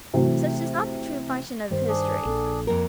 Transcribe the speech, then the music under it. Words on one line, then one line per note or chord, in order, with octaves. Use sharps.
Such is not the true function of history.
C3 E3 F#3 A3
G2 D#3 G3 C5
D4 G#4
A#1 A4
F2 A#3 A#4